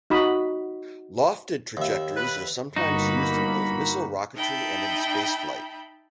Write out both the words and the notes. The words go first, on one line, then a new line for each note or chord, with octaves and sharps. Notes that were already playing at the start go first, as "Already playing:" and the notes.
Lofted trajectories are sometimes used in both missile rocketry and in spaceflight.
D#4 F#4 B5 D#6
D#2 E5
B4
G1 A#3 D#4 F#4 B5
D#4 E5 G5 A5 B5